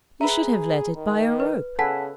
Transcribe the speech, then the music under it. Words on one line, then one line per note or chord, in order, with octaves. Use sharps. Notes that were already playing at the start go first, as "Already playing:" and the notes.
You should have led it by a rope.'
G#4 B4 E5 A#5 B5
D#3
B4
C#3 A4 B4 F#5 G#5 A5 B6